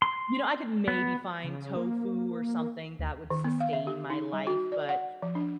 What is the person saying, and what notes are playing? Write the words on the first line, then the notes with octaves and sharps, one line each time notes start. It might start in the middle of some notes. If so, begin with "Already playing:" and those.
you know, I could maybe find tofu or something that would sustain my life, but
C6
B3
C#3
A#3
D2
D#3
B3
F5
E5
G4
D#4
G3
F#4
D5
F#5
F3
D4